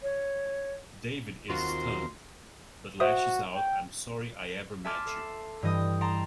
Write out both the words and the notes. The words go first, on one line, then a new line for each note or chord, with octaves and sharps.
David is stunned, but lashes out I'm sorry I ever met you.
C#5
D#2 C4 F4 F#4 A#4 C6
F#4 C5 E5 D#6
G5
E5 G#5 A5 C6 D6 F6
A4 C7 E7
G2 E3 D#5 G5 D#6
A5 A#5 C6 D7